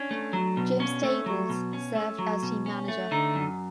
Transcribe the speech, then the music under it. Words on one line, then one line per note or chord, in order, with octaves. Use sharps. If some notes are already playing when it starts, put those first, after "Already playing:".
James Stables served as team manager.
Already playing: C#4 D4
A3
F#3
B2
C#4
A3
F#3
B2
C#4
A3
F#3
B2
C#4
A3
D3 D#4
F#2